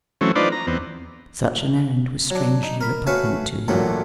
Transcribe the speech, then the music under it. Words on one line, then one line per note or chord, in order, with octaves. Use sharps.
Such an errand was strangely repugnant to him.
E3 F#3 A3 C4 C#4
D4 D#4 F4 B4 C5 D5
A#5
E2 B3 C4
F#3 D4
D#4
A#4 B5
A3 C#4 F#4 B4 F5
A1 D2 A#2 D3 F#3 A3